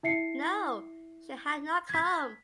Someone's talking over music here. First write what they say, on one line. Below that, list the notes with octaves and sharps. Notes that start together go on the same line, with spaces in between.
No; she had not come!
E4 E5 C7 C#7
G#6 B6